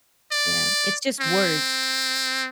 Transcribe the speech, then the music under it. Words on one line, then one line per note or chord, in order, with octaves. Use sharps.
Yeah. It's just words.
D5
C4